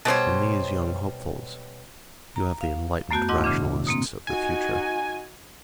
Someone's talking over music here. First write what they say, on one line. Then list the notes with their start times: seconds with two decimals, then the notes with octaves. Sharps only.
In these young hopefuls you have the enlightened Rationalists of the future.
0.05 B2 G3 C5 C#5
2.36 A#5
2.61 F5
3.11 F#2 A3 B3 F#4 A5 G6
3.28 G#2 E4 F#4 D#5 F#5 D6
3.44 A#2 C#3 E3 D4
3.87 B2 A#3 C4
4.27 D#4 F#4 G#5